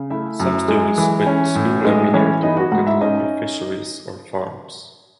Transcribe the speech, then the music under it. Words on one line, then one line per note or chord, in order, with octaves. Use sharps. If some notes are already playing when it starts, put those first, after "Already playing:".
Some students quit school every year to work at the local fisheries and farms.
Already playing: C#3
A3 E4 E5
F#2
G#3
E3
C#4
A2
G#3 D#4 D#5
E3 C#4 C#5
B3 D#4 D#5
F#4 F#5
G#2 F#4 F#5
E4 E5
C#4 D#4 D#5